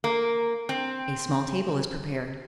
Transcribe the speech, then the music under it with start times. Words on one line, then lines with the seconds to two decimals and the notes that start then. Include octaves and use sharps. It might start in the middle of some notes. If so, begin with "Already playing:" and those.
A small table is prepared.
0.04 A#3
0.69 C4